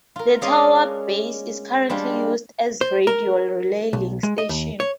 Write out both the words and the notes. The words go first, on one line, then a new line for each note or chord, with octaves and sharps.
The tower base is currently used as radio relay link station.
F4 A#4
G#3 C#4 F4 D5 D#5 F5
G3 G#3 D4 F4
C5
A#4
B1
G#3
D#5
D#2
C#5